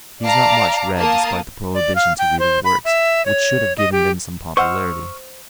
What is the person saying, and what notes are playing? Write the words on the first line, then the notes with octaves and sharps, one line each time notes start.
He is not much read despite the prohibition to read his works, which should have given them some popularity.
D5 F5 A5 A#5 D6
A#3 A5 D#6
D5
F5
G5
C5
B5
E5
C#5
D#5
G4
C5 D#5 F#5 C#6 E6 F6